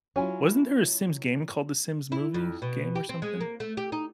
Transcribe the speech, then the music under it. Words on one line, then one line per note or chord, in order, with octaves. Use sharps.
Wasn't there a Sims game called the Sims movies game or something?
F#3 C#4 E4 F4 G#5
E4
F2
B2
G4
C4
G#3
A#3
A3
G4
D#4